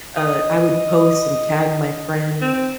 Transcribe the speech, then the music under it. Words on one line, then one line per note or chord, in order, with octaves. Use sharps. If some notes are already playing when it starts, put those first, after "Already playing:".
uh, I would post and tag my friends,
D#5
C4